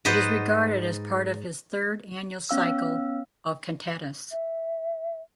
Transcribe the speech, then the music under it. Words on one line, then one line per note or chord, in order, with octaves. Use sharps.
It is regarded as part of his third annual cycle of cantatas.
G#2 B4 C5 D#5 F#5
B3 C#4 F5 E6
E5